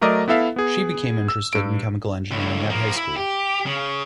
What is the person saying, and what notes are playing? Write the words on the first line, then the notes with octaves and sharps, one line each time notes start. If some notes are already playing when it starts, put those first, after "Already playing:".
She became interested in chemical engineering at high school.
F#3 A3 A#4 D5 D#5 D6
B3 E4 A4 E5 F5
B3 G#4
E6
G2 D7
C#2 A2
F3 A#3
E4
G4
C#3